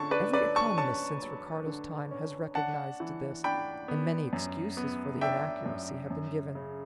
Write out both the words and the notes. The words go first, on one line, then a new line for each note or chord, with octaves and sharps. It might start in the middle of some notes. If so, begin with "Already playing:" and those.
Every economist since Ricardo's time has recognized this, and many excuses for the inaccuracy have been given.
Already playing: D3 C#4 A5 C#6
B4 D5
F#3 B4 D5
A5 C#6
C#4 A5 C#6
F#3
D3
C#4
D4 F#5 A5
E3
D4 G5 B5
B3
F#2
B3
D4 E5 G5
F#2
F#2
C#3